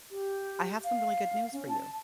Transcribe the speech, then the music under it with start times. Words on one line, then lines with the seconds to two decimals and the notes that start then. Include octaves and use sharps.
I have some really good news for you."
0.10 G4
0.83 F5
1.52 C#4
1.68 A5